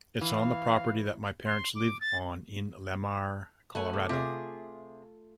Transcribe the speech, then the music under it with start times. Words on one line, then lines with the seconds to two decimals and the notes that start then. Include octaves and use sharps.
Its on the property that my parents live on in Lamar, Colorado.
0.21 E3 F5
1.46 C6
1.75 D6
2.01 A6
3.75 A3 F#5 G#5
3.93 C3
4.09 C3 F4 G#4